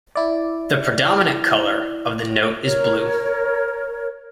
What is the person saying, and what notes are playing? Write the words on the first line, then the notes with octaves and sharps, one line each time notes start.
The predominant colour of the note is blue.
E4 D5
A#4 C#5